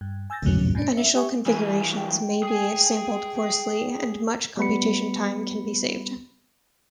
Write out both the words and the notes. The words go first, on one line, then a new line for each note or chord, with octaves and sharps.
Initial configurations may be sampled coarsely, and much computation time can be saved.
G2
G#5 E6 G6 A6 A#6
D3 F#3 A3 C#4
G#2 B2 C#4 D4
C#4 E5
G4 E5 G#5 C#6
E3 G3 G#5
G5
G#4 G#5
G3 B3 B5 C#7